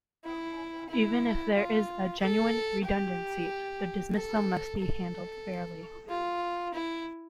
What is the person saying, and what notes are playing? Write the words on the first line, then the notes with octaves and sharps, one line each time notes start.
Even if there is a genuine redundancy, the dismissal must be handled fairly.
E4
E4
F4
A4
G4
A4
A4
F4
E4